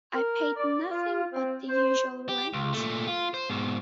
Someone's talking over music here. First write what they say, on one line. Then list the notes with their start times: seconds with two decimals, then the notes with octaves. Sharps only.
I paid nothing but the usual rent.
0.15 A#4
0.57 D5
0.90 F4
1.32 C4
1.68 C5
2.29 G4
2.53 C#2
2.73 A#2 A3
3.08 F4
3.34 C5
3.50 G#2 B2